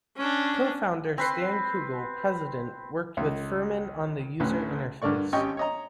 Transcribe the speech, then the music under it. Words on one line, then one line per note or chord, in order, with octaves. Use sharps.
Co-founder Stan Kugell, President, worked with Firmin on the user interface.
C#4 D4
C4 B4 C6
C#2
A1 D2 C#4 B4
G2 D3 A#4 D5 C#6
G#1 C#4 G4 D#5 G5 C#6
C#5 D#5 A#5